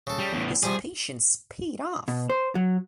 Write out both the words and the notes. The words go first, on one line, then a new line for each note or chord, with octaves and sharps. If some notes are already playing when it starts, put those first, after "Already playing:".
His patience paid off.
C#3 A4
G3
E2 A2
C3 F3 G3 G#4
B2
C5
F#3